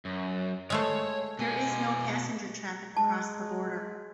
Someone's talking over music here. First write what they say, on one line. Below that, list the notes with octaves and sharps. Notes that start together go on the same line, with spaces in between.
There is no passenger traffic across the border.
F#2
G#3 A3 C5 C#5
B2 G#5
G#3 A5